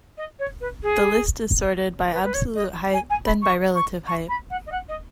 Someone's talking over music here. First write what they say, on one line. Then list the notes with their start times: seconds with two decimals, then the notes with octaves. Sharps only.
The list is sorted by absolute height, then by relative height.
0.17 D#5
0.39 C#5
0.60 B4
0.83 G#4
2.12 B4
2.24 B4
2.34 C#5
2.55 D#5
2.93 G#5
3.10 G#5
3.26 B5
3.42 C#6
3.75 C#6
4.07 C#6
4.28 B5
4.50 F#5
4.66 D#5
4.72 F#5
4.88 D#5